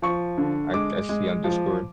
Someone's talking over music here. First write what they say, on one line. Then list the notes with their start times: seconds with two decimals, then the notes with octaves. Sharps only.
I c I see on Discord.
0.02 F3 C#6
0.38 D3
0.74 G#3 D6
1.09 G#3
1.44 F3